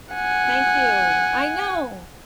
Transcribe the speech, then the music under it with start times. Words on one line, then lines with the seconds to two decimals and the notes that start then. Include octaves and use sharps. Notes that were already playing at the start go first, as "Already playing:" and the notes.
Thank you, I know,
0.15 F#5 G#5